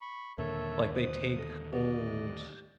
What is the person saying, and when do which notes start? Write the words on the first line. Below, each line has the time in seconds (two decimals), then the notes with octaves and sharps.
like they take old
0.01 B5 C#6
0.38 D#2 A#2 D3 A4 A#4 C#5 E5
0.95 C5 D#6
1.39 A4
1.73 G4 D5 D#5